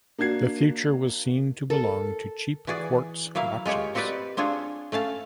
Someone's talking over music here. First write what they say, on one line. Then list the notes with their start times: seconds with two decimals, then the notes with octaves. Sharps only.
The future was seen to belong to cheap quartz watches.
0.18 A#3 D4 F#4 G#6 C7
1.70 A4 A#4
2.67 E3 F#4 G#4 D5
3.35 F#3 A#3 E4 F5
3.66 G#3 F4 G4 C#5
3.95 C4 F#4 G4 B4 D5
4.37 C4 D4 F4 G#4 C#5
4.92 A3 C#4 F5 A5